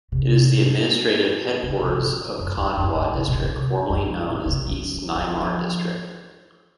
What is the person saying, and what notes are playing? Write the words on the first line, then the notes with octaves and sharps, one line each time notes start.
It is the administrative headquarters of Khandwa District, formerly known as East Nimar District.
C3
C#3
C3
A#2
F#2
F2
F#2
A2
C3
A#2
C3
F#2
A#2
C#3
F#3
F3
D#3
F#3
F3